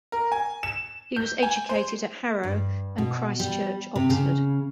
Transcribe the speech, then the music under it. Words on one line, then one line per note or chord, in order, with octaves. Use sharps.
He was educated at Harrow and Christ Church, Oxford.
A#4
G#5
E7
G6
G#5
C5
G2
B2
G3
C3
C#3